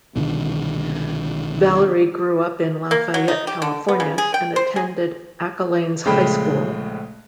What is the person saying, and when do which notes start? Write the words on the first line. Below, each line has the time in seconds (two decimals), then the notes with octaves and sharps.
Valory grew up in Lafayette, California and attended Acalanes High School.
0.15 C2 B2 D3 D#3
2.91 A#3
3.14 F#3
3.28 D#4
3.47 G4
3.62 D3
3.88 B3
4.00 C#3
4.18 G#4
4.34 G5
4.56 C5
4.76 G#4
6.05 A#1 C#3 G#3 A3 G5 B5